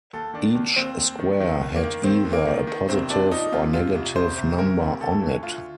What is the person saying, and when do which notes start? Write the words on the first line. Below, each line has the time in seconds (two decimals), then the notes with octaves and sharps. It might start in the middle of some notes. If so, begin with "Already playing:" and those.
Each square had either a positive or negative number on it.
0.13 D#2 A4
0.34 D#3 D4
0.55 D#2
0.76 D#2 C4
0.98 D#2
1.19 D#3
1.40 D#3
1.61 D#2
1.76 A#3
1.83 D#3
2.04 D#3 C4
2.25 D#2
2.33 A#3
2.47 D#3
2.67 D#3
2.89 C2 C4
3.10 C3 D4
3.31 F3 D#4
3.52 C3 F4
3.73 C3 F4
3.95 C2
4.15 C2 C5
4.38 C2
4.58 D2 A#4
4.80 C3
5.00 D2 A4
5.22 D2
5.43 D2 F4